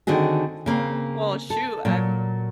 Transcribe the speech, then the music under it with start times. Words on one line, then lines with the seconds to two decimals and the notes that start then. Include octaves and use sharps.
Well, shoot. I'm
0.07 D3 D#3 C4 F#4 G#4
0.66 C#3 A#3 C4
1.50 A4
1.85 A#2 F#3